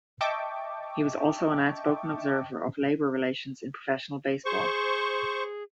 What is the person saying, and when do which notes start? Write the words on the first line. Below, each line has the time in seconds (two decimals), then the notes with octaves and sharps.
He was also an outspoken observer of labor relations in professional baseball.
0.21 D#5 E5 G5 A5 C#6 D6
4.45 G#4 C5 C#6